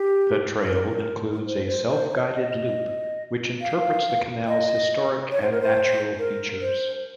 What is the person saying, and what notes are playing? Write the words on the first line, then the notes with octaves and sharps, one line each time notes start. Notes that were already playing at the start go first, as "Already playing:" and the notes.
The trail includes a self-guided loop which interprets the Canal's historic and natural features.
Already playing: G4
A#4
C5
C5
C5
C#5
D#5
F5
D#5
C#5
C5
A#4
C5
A#4
C5